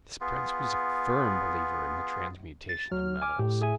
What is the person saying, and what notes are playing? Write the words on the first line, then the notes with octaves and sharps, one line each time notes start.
This prince was a firm believer in the transmutation of metals.
B3 F4 G#4
A6
F#3 F6
G#5 D6
A2 G4
G#4 E5 G#5